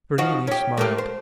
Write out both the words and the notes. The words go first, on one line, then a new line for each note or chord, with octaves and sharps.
Bernini smiled.
F3 D#4 F#4
C#4 G4
A3 A#3 G4
C5